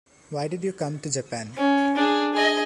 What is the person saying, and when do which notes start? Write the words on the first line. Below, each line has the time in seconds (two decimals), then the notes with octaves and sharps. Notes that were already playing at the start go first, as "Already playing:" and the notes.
Why did you come to Japan?
1.57 C#4
1.96 D4 G#4
2.34 G#4 D#5